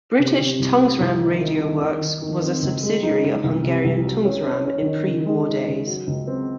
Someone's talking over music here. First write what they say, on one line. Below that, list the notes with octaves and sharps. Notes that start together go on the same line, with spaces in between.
British Tungsram Radio Works was a subsidiary of Hungarian Tungsram in pre-war days.
C3
C3
C2
C4
C2
D#3
D#3
D#3
D#3
D#3
D#3
C4
C#2
G#3
D#4
C#3
C2
C3
C2
F#3
C#4
C#4
C#4
D#3
C#3
G#3
D#4
C#3
F#3
C#2
C4